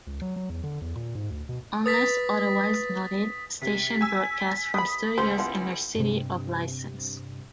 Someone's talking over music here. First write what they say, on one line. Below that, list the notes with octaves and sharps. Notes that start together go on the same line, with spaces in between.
Unless otherwise noted, stations broadcast from studios in their city of license.
C#2
F#3
F#3
E2
D3
E2
A#2
G#2
D2
B2
B4 D#6 A6 B6
C3 B6
G#5 E6
B4 B5 D#6
C#2 C5
E3 B3 F4
G2 C3